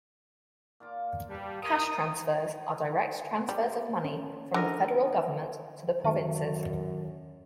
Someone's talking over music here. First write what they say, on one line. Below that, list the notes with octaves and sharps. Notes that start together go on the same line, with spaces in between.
Cash transfers are direct transfers of money from the federal government to the provinces.
A#2 F4 D6
G3 B4 A5
A#4 D#6
G3 D5
C#4
D3 D#4 A#4 G#5
F#2 D#3